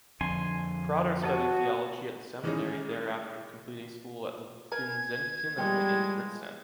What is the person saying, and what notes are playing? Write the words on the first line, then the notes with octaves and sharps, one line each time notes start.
Prader studied theology at the seminary there after completing school at the Vinzentinum in Brixen.
F2 D3 G#5 C6
F#4 A4 C#5 D#5
D#3 E3 G#3 C#4 D#4 G#4
A#4 B4 G#5 G#6
F3 G3 G#3 B3 G4